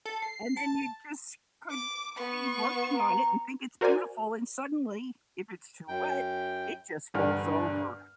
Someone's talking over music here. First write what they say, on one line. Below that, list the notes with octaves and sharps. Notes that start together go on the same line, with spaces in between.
and then you just could be working on it and think it's beautiful and suddenly, if it's too wet, it just falls over
A4
C7
A5
D6
B3 C#6
A#5
F#4 A#4 C5 D5 G#5
F#2 G5
E1 D2 G2 D3 F6